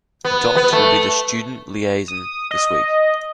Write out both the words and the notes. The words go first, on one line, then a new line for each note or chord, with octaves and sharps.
Dot will be the student liaison this week.
B3
B3
A3
D#6
D#5